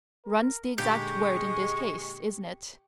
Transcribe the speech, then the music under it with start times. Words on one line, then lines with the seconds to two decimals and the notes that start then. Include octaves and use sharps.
Run's the exact word in this case, isn't it?
0.25 A#4
0.78 A#2 D3 G#3 G4 C#6